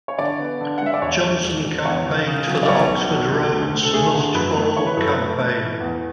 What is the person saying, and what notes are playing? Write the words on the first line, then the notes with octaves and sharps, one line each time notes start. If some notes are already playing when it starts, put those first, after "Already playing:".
Johnson campaigned for the Oxford Rhodes Must Fall campaign.
C#5
D3 D5
B3
D3
F#5
G#3 E5
D5
E1 C#5
E1
E1
E1
E2 C#5
C#3
C#3
F#3
D5
B1 C#5
B1
B1
B1
D2
D2
A4
A3 G#4
D3
F#2 B4
A3
E3 C#5
B4
F#2 A4
B4
A3
A3
E3
E2